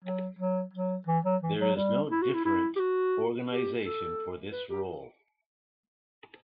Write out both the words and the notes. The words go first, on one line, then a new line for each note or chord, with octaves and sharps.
There is no different organization for this role.
F#3
F#3
F#3
E3
F#3
E3
F#3
G3
E4
F#4
E4
E4
G4
F#4
G4
A4
B4
G4